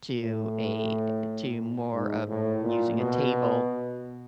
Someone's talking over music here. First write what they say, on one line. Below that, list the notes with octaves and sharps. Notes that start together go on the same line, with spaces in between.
to a, eh, to more of using a table
A2
G#2
A2
A#2
B2